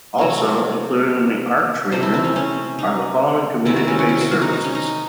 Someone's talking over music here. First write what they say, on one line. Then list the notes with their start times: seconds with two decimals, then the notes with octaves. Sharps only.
Also included in the Arch region are the following community-based services.
0.18 C3 F#3 A3 C#5
1.92 C3 F#3 A3 C5
2.03 E4
2.14 C4
2.24 C#4
2.36 C#4
2.79 D#4
3.65 C3 D#3 G#3 E4
3.76 F#4
3.88 C#4
3.99 C#4
4.09 E4
4.21 F#4
4.32 F#4
4.42 D#4
4.53 D#4
4.64 C#4
4.75 D#4